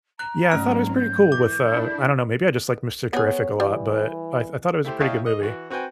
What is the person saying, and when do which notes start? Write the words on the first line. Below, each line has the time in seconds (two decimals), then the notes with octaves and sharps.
Yeah, I thought it was pretty cool with, uh I don't know, maybe I just like Mr. Terrific a lot, but I I thought it was a pretty good movie.
0.19 A#5 F#6
0.51 G#2 F#3 A3 C4 C#4 F6
0.97 G6
1.32 E3 D6
1.70 D4 E4
3.13 B3 G#4 C#5
3.60 E3 G3
4.85 A3 E4 G4 C5
5.00 E4 C#5 D#5 F5 G5 A5
5.26 D#5
5.40 E3 F#4
5.70 C4 F#4 B4 G5 G#5